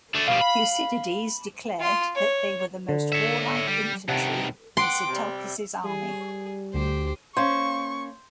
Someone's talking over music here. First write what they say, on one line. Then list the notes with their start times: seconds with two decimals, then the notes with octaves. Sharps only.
Thucydides declared that they were the most warlike infantry in Sitalkes' army.
0.14 A3 D4
0.28 B2 G3 F5
0.41 B5
1.80 F4 C6
2.16 C#5
2.89 D3
3.12 C#5 E5
3.67 G3
4.08 G2 C3 D#3 F#5 A5
4.77 F#5 G5 C6 D6
5.09 C3 G3
5.84 G3 G#4
6.74 D2 G4 C5
7.37 A#3 C#4 C5 F5 C#6